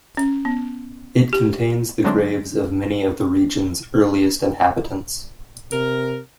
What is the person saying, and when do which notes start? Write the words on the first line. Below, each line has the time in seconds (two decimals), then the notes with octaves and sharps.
It contains the graves of many of the region's earliest inhabitants.
0.17 C#4
0.45 B3
1.33 G4
2.04 D3 F#3 G#3 A3 C4 D4
5.71 C3 A#4